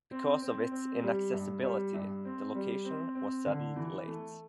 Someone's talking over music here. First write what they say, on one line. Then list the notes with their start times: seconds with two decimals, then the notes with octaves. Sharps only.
Because of its inaccessibility, the location was settled late.
0.11 C4
0.42 C4
0.72 C4
1.03 G3
1.33 G2
1.63 G3
1.94 G2
2.25 C4
2.55 G3
2.85 C4
3.15 C4
3.46 D3
3.76 E3
4.08 A3